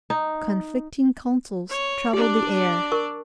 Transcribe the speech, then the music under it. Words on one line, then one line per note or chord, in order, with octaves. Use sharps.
Conflicting counsels troubled the air.
D#4
C#5
D4 G4 D5
A#4 C#6